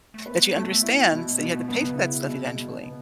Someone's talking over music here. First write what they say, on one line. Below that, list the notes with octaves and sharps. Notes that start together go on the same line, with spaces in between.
that she understands that you had to pay for that stuff eventually,
A3
B3 B4
A3
E4
B2
B2 B3
A3
F#3 B3
C#3
E4
B2
B2
B3